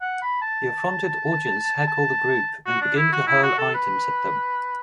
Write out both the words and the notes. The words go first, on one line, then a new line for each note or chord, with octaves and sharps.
The affronted audience heckle the group, and begin to hurl items at them.
F#5
B5
A5
A5
F#4
D4
E4
F#4
E4
F#4
A4
B4